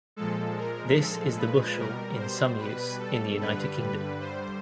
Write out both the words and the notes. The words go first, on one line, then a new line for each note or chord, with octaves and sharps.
This is the bushel in some use in the United Kingdom.
A#2 F3 G#3 A4
A#4
A4
B4
B2 G3 A#4
C5
B4
A4
G2 D3 G3 B4
C5